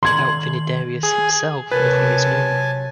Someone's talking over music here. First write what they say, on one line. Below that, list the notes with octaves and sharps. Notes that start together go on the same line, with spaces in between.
About Vinidarius himself nothing is known.
D#3 C6 G#6 F#7
G#4
C3 F#3 A#4 B4 C#5 G#5 A5